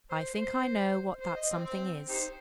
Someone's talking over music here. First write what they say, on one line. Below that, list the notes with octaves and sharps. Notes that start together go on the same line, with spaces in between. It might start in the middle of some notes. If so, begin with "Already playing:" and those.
I think I know what that something is.
C5
C5
C5
D#5
C4
C4
D#4 G4 C5